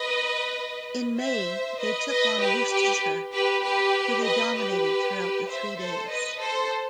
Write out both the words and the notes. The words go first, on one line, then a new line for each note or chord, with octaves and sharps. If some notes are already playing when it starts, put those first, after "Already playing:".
In May they took on Worcestershire, who they dominated throughout the three days.
Already playing: B4 D#5
C5 E5
B4 D#5
B4 D#5
G4 B4
G4 B4
G4 B4
G4 B4
B4 D#5
G4 B4
C5 E5
A4 C5
B4 D#5
A4 C5